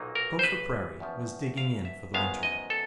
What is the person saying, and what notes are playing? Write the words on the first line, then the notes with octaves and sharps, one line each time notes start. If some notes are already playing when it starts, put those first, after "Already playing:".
GOPHER PRAIRIE was digging in for the winter.
Already playing: B1 A#2 F#3 A#3 D#4
A#4
C5
B4
E2 C#3 F3
F5
E5
G#1 F#2 D#3 G#3 B3 F5
D#5
A4